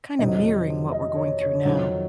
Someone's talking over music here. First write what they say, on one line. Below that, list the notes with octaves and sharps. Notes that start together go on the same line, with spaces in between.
kinda mirroring what we're going through now,
F2 C3 D#3 F#3 D#5
D#5
C#5
C#5
F2 D#3 F#3